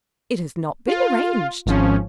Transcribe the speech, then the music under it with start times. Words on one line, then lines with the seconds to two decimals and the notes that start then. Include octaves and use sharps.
"It has not been arranged."
0.87 F4
1.66 G#1 F3 C#4